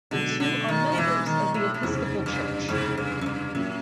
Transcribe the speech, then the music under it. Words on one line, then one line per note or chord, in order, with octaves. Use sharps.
The two are members of the Episcopal Church.
B1 B2 D3 G#3 B3
D3
D#3
F3
B1 B2 E3 G#3 B3
D#3
A2
A2
F#1 E2 G#2 C3
G2
F#1 E2 G#2 C3
G2
F#2
G2
F#2 A#2 F#3 A#3 C#4